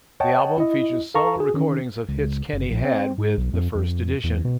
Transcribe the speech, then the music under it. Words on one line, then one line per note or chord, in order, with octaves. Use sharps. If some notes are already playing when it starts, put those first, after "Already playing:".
The album features solo re-recordings of hits Kenny had with The First Edition.
C#5 D#5 F#5 G5 A5
E4 D#5
A4 F5 A5 A#5 C#6
F#4 G#4
D#3 C#4
C#2
C#2
F#1
A#1
C4
G#2
B1
F2
F2
E2
B2